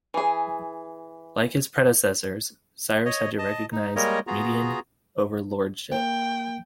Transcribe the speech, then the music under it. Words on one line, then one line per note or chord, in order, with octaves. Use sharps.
Like his predecessors, Cyrus had to recognize Median overlordship.
E3 G#4
C#5 D#5
D#5 A5
D#4
G3 G#3 A#3 A#4 C#5 D#5
B3 F4 F#4 G#4 A#5
A#3 G5